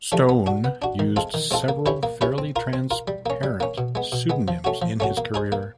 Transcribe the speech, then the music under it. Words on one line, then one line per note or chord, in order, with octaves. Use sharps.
Stone used several fairly transparent pseudonyms in his career.
F3 A3 D4 G4
B3
D4 F#4
B3
D4 F#4
D#3
G#3 C4 F4 A4
D#3
G#3 C4 F4 A4
A#3
C#4 E4 G4 B4
A#3
C#4 E4 G4 B4
C4
F4 A#4
C4
F4 A#4
G3
A#3 C#4
G3
A#3 C#4
B2
G#3 B3
B2
G#3 B3
F3
A3 C#4 F#4
F3
A3 C#4 F#4
A#3
D#4 G#4 C5
A#3